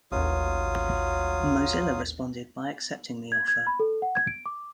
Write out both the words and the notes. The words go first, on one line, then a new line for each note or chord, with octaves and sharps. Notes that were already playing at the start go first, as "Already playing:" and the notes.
Mozilla responded by accepting the offer.
A1 D#2 F#3 F4 D#6
G#6
G#6
B5
A4
F#5
G#6
D7
D6